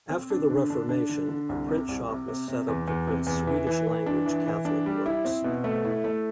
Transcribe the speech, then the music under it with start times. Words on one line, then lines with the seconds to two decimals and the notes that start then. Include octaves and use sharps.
After the Reformation a printshop was set up to print Swedish-language Catholic works.
0.10 C4
0.30 D4
0.50 D3
0.70 D4
0.89 D4
1.09 D3
1.29 D3
1.49 C2
1.69 C3
1.89 C2
2.09 C3
2.28 C3
2.48 C3
2.68 E2
2.88 E2
3.08 C3
3.27 E2
3.47 E3
3.67 E3
3.87 E3
4.06 D4
4.26 E3
4.46 E3
4.65 D4
4.86 G3
5.06 E4
5.25 C4
5.44 B2
5.64 A3
5.84 E4
6.04 A3